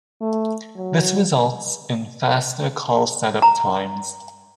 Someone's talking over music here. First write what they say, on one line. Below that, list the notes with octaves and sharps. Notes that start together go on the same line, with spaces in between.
This results in faster call setup times.
A3
F#3
A#5